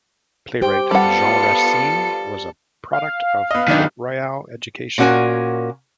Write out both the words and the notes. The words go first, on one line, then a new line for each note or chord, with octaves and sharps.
Playwright Jean Racine was a product of Port-Royal education.
G4 C5 G5
G3 B3 F4 A4 F#5 C#7
F5
B3 D#5
D#3 F#3 B3 D4 D#4
A#2 C#4 F#4 A#4 G#5